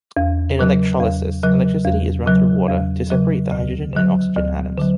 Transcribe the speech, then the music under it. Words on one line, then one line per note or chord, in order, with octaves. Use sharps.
In electrolysis, electricity is run through water to separate the hydrogen and oxygen atoms.
E2
C#3 F#3
E2
C#3 F#3
E2
C#3 F#3
E2
C#3 F#3
D2
D3 F#3
D2
D3 F#3